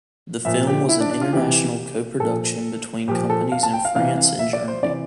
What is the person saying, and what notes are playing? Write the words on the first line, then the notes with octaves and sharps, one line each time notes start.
The film was an international co-production between companies in France and Germany.
A#2 F3 E5
G4
E4
D4
D4
F4
C3 E3 G4
A#2 F3 A4
A#2 F3 G4
A4
F5
A5
G5
F5
C3 E3 F5
F5
E5
D5
C5
C3 E3 D5